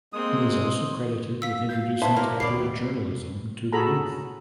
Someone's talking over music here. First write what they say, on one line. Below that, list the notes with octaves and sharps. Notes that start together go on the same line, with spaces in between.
He is also credited with introducing tabloid journalism to the youth.
G#3 A#3 C4 D#6
F5 E6 B6
F5 G6
B2 E4 B4 C5 A5
A#3 C#5 D6
D#1 B2 G4 D5 B5 C7
F#4 G#4 A4 A#5 B5